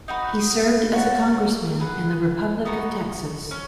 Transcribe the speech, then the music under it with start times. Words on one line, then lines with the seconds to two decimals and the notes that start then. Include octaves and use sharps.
He served as a congressman in the Republic of Texas.
0.08 D#4 F#4 B4
0.94 F#4 C#5 F#5 A5
1.80 G#4 B4 F#5
2.65 B3 D#4 F#4 B4
3.51 C#4